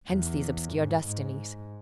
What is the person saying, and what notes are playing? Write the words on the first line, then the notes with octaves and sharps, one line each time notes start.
Hence these obscure destinies.
E2
G#2
G#2